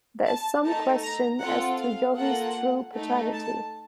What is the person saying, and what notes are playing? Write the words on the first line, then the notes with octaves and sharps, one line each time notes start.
There is some question as to Jochi's true paternity.
A5
A3 D#4 A4 A5
A#5
C4 F4 A4 F#5
F5
A#3 F4 A4 F#5
A3 D#4 A4
A5